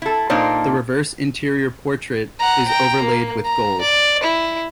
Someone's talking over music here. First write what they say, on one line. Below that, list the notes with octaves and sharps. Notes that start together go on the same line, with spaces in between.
The reverse interior portrait is overlaid with gold.
E4 A4
A#2 A#3 D4 D#4 C5
F#5 A#5
G5 A#5
A#3
A#5
D5
E4